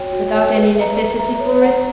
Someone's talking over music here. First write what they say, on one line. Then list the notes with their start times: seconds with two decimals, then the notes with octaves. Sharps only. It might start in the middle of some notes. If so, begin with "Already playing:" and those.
"Without any necessity for it?"
Already playing: F#4 C#5 G5
0.13 F#4
0.34 C#5 G5
0.56 B4
0.76 E5 A#5
0.98 B4
1.19 E5 A#5
1.40 C#5
1.61 F#5 A#5